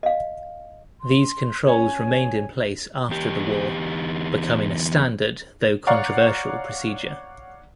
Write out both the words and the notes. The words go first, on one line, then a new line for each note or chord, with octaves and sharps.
These controls remained in place after the war, becoming a standard, though controversial, procedure.
D#5 F5
C6
C#4 C#5 G#5
E2 G4
C#5 D5 F5 F#5 A#5